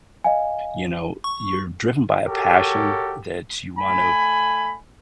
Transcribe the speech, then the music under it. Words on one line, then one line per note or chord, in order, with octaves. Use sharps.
you know, you're driven by a passion that you want to
D#5 F5 G#5
C#6
F#4 G4 A4 A#4 C#5
A3 G#5 B5